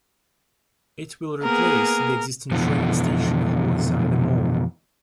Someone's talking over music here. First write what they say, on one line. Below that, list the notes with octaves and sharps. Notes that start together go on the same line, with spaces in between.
It will replace the existing train station hall inside the mall.
A#3 B3 G#4 A#4
F2 B2 D3 E3